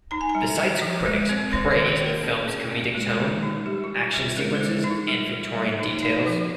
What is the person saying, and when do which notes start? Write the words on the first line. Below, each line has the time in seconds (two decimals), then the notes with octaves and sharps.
The site's critics praised the film's comedic tone, action sequences, and Victorian details.
0.11 D#4 A#5
0.21 G#5
0.29 A#5
0.35 G3
0.58 G3
0.82 F3
1.06 G#3
1.29 C4
1.53 D#3 C#5
1.71 D#5
1.77 D#3
1.89 C#5
2.00 A#3
2.06 A#4
2.24 C#4 G#4
2.48 C#4
2.71 C#4
2.95 G#3
3.19 G#3
3.42 D#4
3.66 G3 G4
3.84 F4
3.90 G3
4.01 F4
4.14 G3
4.20 G#4
4.37 G#3 A#4
4.55 C5
4.61 G#3
4.73 G#4
4.84 D#4
4.90 F4
5.08 G3
5.32 G3
5.55 G3
5.79 D#4
6.03 D#4
6.26 F3